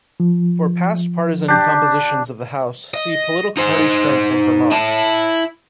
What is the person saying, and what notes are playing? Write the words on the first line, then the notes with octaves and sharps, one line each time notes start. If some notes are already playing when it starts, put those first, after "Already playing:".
For past partisan compositions of the House see Political party strength in Vermont.
F3
D4 G4
D#5
D#4 C5
E4 A5